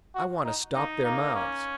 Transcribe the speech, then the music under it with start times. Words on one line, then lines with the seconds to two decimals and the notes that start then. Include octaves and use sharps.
"I want to stop their mouths."
0.15 F#4
0.45 D#4
0.75 A#3 D#4
1.05 A#3 D#4
1.35 C#4